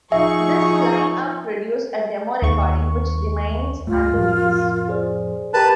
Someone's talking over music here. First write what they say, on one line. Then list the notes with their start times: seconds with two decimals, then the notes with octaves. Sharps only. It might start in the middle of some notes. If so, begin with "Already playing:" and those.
This line-up produced a demo recording which remains unreleased.
0.12 F3 D#4 G#4 E5 C#6
2.42 D#2 C#6
3.87 C#2 G2 A3 F4
4.14 F2 A2 F3 A#4
4.89 G#4 C5 D5
5.54 G4 A#4 B4 G5 A5 A#5